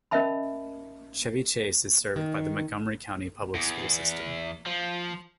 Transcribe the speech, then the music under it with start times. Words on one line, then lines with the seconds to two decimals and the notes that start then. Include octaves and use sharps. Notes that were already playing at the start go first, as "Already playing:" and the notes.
Chevy Chase is served by the Montgomery County Public School system.
0.11 C#4 A#4 D#5 E5 A5 B5
2.16 D#3
3.55 E2
4.67 F3